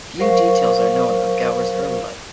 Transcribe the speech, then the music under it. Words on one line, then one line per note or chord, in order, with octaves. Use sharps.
Few details are known of Gower's early life.
F#3 A#4 C5 F5 C#6